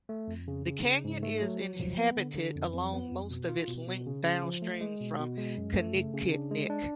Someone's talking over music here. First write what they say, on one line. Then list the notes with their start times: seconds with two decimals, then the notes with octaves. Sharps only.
The canyon is inhabited along most of its length downstream from Kinikinik.
0.09 A3
0.28 F2
0.48 C#3
0.66 C#3
0.85 C#3
1.04 G#2
1.22 A3
1.42 F#3
1.60 F#3
1.80 F3
1.99 B3
2.18 D3
2.35 D3
2.55 F2
2.74 F2
2.93 B3
3.12 F2
3.31 B2
3.49 F4
3.68 B2
3.87 B2
4.06 C#3
4.24 C#3
4.43 F3
4.62 A3
4.81 G#3
5.01 B2
5.19 B2
5.38 G#3
5.58 F#2
5.76 A3
5.95 C#3
6.14 C#3
6.32 D4
6.51 G#3
6.70 D4